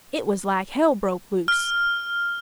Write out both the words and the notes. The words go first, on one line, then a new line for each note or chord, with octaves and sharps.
It was like hell broke loose.
F6